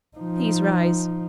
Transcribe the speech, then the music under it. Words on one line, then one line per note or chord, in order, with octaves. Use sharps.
Please rise.
F3 D#4